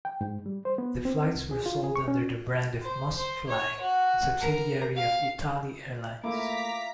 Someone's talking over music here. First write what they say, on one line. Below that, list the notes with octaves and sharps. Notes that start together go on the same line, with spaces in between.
The flights were sold under the brand of MustFly, a subsidiary of ItAli Airlines.
G5
G#2
G3
C5
B3
C4
C2
G#4
F4
G#4
C#6
C#4
C5
C5
C#5
F#4
A#4
F5
A3 A#3 E4 F4 E5 A#5 D6 B6